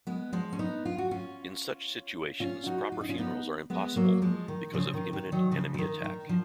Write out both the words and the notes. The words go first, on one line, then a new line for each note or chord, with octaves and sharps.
In such situations, proper funerals are impossible because of imminent enemy attack.
G#3 B3
F3 G#3
C#4
B3 D#4
F4
F#4
C#4 F4
C#4 F4
D#4 F#4
F4
D#4
C#4 F4
B3 D#4
G#3 B3
F#3 A#3
F3 G#3
D#3
C#3 F3
D#3
D#3
D#3 F#3
C#3 F3
F3
D#3
D#3
F3